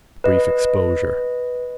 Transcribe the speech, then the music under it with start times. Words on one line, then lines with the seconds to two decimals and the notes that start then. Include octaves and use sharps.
Brief exposure.
0.24 B4 D#5